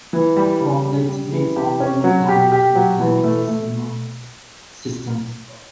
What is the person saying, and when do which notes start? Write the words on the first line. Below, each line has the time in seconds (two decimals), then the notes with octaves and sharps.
A proplyd may form new planets and planetesimal systems.
0.13 E3
0.36 G3
0.61 C#3
0.85 G3
1.08 G3
1.32 E3
1.56 G4
1.80 C#4
2.04 F#3
2.28 G4
2.52 G4
2.75 F#3
3.00 E3
3.24 A3
3.48 A3